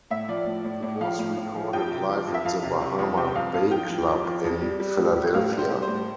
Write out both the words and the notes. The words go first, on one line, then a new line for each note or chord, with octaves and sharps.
It was recorded live at the Bahama Bay club in Philadelphia.
A2 E5
F3 D5
A2
A2
A2
F3 F5
A2
A2
F3
F2 G5
C3
F3
F2
E5
F2 F5
C3
C3
F2
C3 G5
F2 F5
F2 F5
F2 G5
F3
F2
F3
F2
G3
G3
A2
G3
A2 F5
G3
C5
G3
C5
A2